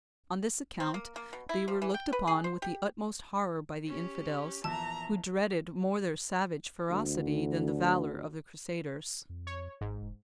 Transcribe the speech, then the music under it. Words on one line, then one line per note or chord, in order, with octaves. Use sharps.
On this account they were looked upon with the utmost horror by the infidels, who dreaded more their savage ferocity than the valour of the Crusaders.
C4
A#3
A#3
B2
E4
F3
E3
G5
B4
G#4
C5
G4
C#4 G4
A#1 E2 E5 A5 A#5 E6
D2
F2
C#5
G#1 G#2
E1